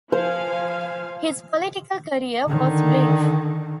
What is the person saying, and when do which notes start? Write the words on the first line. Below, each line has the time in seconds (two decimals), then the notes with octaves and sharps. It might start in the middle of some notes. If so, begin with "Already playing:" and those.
His political career was brief.
0.12 F3 C5 F5 G#5
2.45 D3 D#3